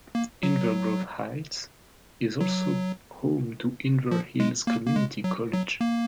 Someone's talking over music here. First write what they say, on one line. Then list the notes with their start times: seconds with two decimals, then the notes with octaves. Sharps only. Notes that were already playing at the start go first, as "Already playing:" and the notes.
Inver Grove Heights is also home to Inver Hills Community College.
0.15 A#3
0.43 F#3
2.41 F#3
4.11 F3
4.40 G#3
4.67 A#3
4.87 A#3
4.96 G#3
5.24 F#3
5.53 F#3
5.81 A#3